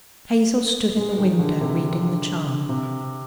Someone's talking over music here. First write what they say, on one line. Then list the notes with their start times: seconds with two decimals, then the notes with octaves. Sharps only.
Hazel stood in the window reading the charm.
0.97 G#3
1.18 D#3
1.39 D3
1.61 C3
2.69 C3